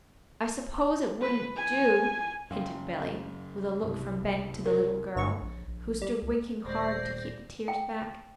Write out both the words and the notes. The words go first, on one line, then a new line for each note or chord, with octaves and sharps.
"I Suppose it wouldn't do--" hinted Billy, with a look from Ben to the little girl, who stood winking hard to keep the tears back.
B4
G#5
F#2 C#3 F5 G5 C6
C2 C3
A#4
G1 G2 C#5 C#6
A#1
A#1
G3
C#2
D#1 C5 D5 A#6 C7
G5